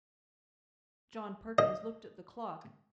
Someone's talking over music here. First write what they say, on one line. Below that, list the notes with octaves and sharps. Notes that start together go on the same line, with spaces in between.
John Perkins looked at the clock.
D#5